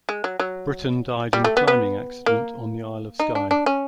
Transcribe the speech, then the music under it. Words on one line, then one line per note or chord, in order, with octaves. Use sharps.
Britton died in a climbing accident on the Isle of Skye.
G#3
F#3
F#3
G3
A3
B3
B3
A#3
D#4
D4
D4
C#4